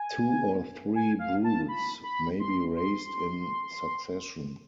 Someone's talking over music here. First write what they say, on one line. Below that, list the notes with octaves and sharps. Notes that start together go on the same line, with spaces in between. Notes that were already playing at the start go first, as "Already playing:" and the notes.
Two or three broods may be raised in succession.
Already playing: G#5
G#5
F5
A5
B5
B5
C6
C6